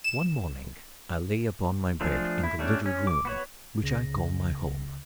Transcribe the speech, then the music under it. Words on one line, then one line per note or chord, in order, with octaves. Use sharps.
One morning I lay upon my bed in the little room which I call my home.
E7
F3 A3 D4 G#4
E4
G3 A3 C#4 D4
C#4
D6
B3 F#4 C#5
C#2 C#3 A#6